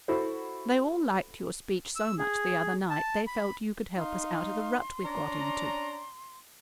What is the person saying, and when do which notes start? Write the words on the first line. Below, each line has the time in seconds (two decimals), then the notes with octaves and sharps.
"They all liked your speech so much the other night they felt you could help us out of the rut we've got into."
0.08 E4 F#4 A4 C5
1.96 E6
2.18 G#4
2.90 A5
3.27 B5
3.98 D#4 F5 C6
5.05 C#4 D4 D5 A#5